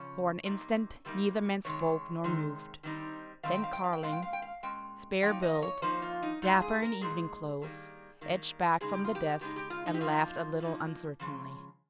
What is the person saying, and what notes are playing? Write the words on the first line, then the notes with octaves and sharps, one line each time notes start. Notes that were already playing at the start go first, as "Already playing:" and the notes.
For an instant neither man spoke nor moved; then Carling, spare-built, dapper in evening clothes, edged back from the desk and laughed a little uncertainly.
Already playing: C#3 F3 C#4 C#5
C3 G3 A#3 D#4
C3 G3 A#3 D#4
C3 D#3 G#3 C#5
C3 D#3 G#3
D#3 G3 C4 D#4
D#3 G3 C4 D#4 F5
G5
F5
G5
F5
G5
A#2 G#3 C#4 F5
G5
F5
G5
F5
A#2 G#3 C#4 G5
F3 A#3 D#4 G5
D#5
C#5
F3 A#3 D#4 C5
F4
D#4
A#2 G#3 D#4 F4
G#4
A#4
A#2 G#3 D#4 G#4
D#3 G3 A#3
D#3 G3 A#3
C#3 G#3 D#4 G#4
G4
F4
G4
C#3 G#3 D#4 G4
G4
F4
D#4
G4
F3 A#3 D#4 F4
F3 A#3 D#4
C#3 F3 G#3 C#4